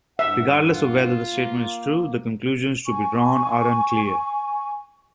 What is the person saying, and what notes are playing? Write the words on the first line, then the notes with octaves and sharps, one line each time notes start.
Regardless of whether the statement is true, the conclusions to be drawn are unclear.
G2 E5 F#5
F4
A#3
G#5 C#6